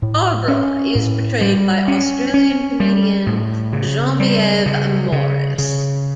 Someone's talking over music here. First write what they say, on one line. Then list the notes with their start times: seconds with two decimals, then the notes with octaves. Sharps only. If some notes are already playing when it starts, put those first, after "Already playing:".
Barbara is portrayed by Australian comedian Genevieve Morris.
0.02 A2
0.48 C#4
0.95 A2
1.41 G3
1.88 C#4
2.34 C#4
2.80 G3
3.26 A2
3.73 C#3
4.20 G3
4.66 C#3
5.12 C#3
5.58 C#3